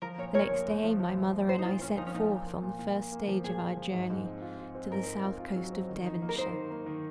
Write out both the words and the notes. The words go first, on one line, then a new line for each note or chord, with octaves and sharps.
The next day my mother and I set forth on the first stage of our journey to the south coast of Devonshire.
F3 A#4
A#2 A#4 C#5
A#1 A#4 C#5
A#1
A#1
F3
F3
A#1
A#1
A#1 C5
D#4
A#2 F4
A#2 C#4
F3 D#4
C#4
A#2 D#4
A#3
A#2
A#2
A#2
A#2
A#3
F3
A#2 G#4
A#2
F3
G#2
G#2
C4
F4
F4
C4
G#2 A#4
C4
F4
F4
F#3
C4
D#3
D#4
A#3
A#4
D#4 C5
D#3
A#3
D#3